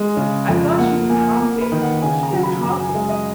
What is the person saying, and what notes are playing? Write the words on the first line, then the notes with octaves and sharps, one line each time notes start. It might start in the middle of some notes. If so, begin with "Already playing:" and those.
I thought she was hopping; she kept hopping....
Already playing: G#3
C#3
F2
A#3 F#5
A#3 G#5
A#3
B4
D#3
F#5
C#3 G#5
A#5
F#3
B5
F#2 A#5
G#5
G#3 F5
D#5